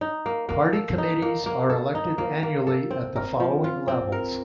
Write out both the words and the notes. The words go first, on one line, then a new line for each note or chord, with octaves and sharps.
Party Committees are elected annually at the following levels.
D#4
A#3
A#3
A4
D#4
A#3
A#3
A4
D#4
A#3
A#3
A4
C4
A#4
F3
F4
C4
A#4